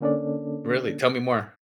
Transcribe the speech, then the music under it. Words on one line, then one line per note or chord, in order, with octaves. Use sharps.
Really? Tell me more.
D3 A#3 C#4 D4 A4 D5